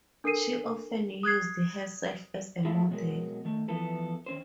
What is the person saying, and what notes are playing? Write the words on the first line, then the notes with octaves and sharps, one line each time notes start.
She often used herself as a model.
D4 A4 A#4 C7 D#7
D#6 F#6 G#6 C7
G#3 A3 E4 F4
B2 F#3 G#3 A#4
D#3 A3
E3 F3 B3 E4 A4 B4
D#3 C#4 C5